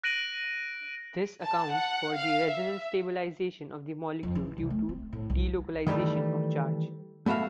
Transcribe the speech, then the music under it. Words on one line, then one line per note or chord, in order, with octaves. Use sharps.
This accounts for the resonance stabilization of the molecule due to delocalization of charge.
F#6 A#6 D7 D#7 F#7
A5
F#5
F5
E5
F2
E3
C2
A3
C4
A2
C2
D#3 E3 G3 A3
A3 B3 F#4 E5 F5